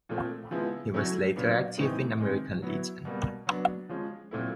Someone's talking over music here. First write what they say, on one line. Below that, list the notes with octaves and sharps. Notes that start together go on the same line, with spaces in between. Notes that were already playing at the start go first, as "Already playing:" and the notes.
He was later active in the American Legion.
A#2 F3 A3 C4
C#3 F3 G#3 B3 E4
F#3 A3 C#4 E4
A#2 F#3 B3 D4
A2 E3 A3 C4 D#4
C3 D#3 G#3
F#3 B3 E4
B2 G3 A#3
F#3 B3 D4
F3 G#3 C#4
A#2 F#3 A3 C4 E4